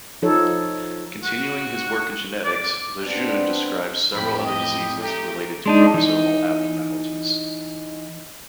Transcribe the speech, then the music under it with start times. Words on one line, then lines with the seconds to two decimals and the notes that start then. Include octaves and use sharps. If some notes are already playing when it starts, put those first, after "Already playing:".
Continuing his work in genetics, Lejeune described several other diseases related to chromosomal abnormalities.
0.22 F3 D#4 A4 C#5
1.23 F#4
2.44 D5
3.03 B3 C4 D4
4.12 F2 A2 G4 B5
4.44 D#5
5.00 A3 D#4 G4
5.66 G#3 D4 D#4
5.94 E3 D#4